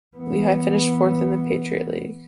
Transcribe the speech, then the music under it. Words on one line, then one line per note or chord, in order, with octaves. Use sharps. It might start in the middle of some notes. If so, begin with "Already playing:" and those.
Lehigh finished fourth in the Patriot League.
E3 B3